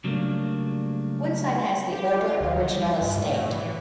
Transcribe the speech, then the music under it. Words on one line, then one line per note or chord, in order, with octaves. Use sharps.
One side has the older, original estate.
C#3 F#3 G3 A3 A#3 D4
G4
F4
D2
D#3
G3
G2
A2
E3